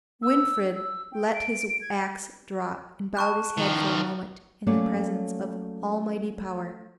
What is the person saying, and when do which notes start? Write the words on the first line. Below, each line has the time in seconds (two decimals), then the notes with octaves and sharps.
Winfried let his axe drop, and bowed his head for a moment in the presence of almighty power.
0.22 E6
0.75 E6
1.12 G5
1.34 D7
1.81 G#6
3.17 A5 C#6 F#6
3.57 D#3 F3
4.67 F#3 A3 A#3 C#4 C#5 D5